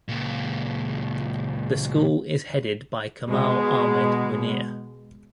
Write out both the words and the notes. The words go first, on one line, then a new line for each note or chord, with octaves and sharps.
The school is headed by Kamal Ahmed Munir.
C#2 A#2
B2 G#3